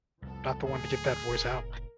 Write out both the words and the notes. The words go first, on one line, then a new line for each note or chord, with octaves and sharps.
not the one to get that voice out.
C2 F2 B3 A4
D1 D2 G#4
F1 A2 A#4